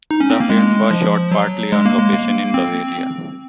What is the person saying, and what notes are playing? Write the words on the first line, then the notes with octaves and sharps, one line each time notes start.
The film was shot partly on location in Bavaria.
D#4
C#4
C4
A#3
G#3
F3
F#3
G#3
A#3
G#3
A#3
C4